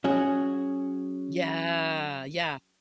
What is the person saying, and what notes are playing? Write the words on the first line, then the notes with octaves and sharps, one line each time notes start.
Yeah, yeah.
F#3 C#4 F#4 G#4